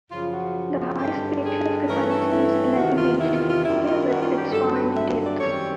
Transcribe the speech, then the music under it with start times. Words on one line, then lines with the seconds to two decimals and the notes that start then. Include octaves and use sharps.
The high spatial frequencies in an image give it its fine details.
0.11 F#2 C#3 F3 F4
0.33 F#4
0.99 G2 D3 G3 G4
1.44 G#4
1.87 G2 E3 A3 C#4 A#4
2.10 A4
2.32 E4
2.75 E2 C3 D#3 F#4
2.98 F4
3.20 E4
3.34 F4
3.50 F4
3.64 F#2 D#3 G3 E4
3.86 F4
4.08 F#4
4.22 F4
4.38 G4
4.52 G2 D3 F#3 A4
4.74 B4
4.96 E5
5.26 D5
5.40 F#2 D#3 G3 C4 C#5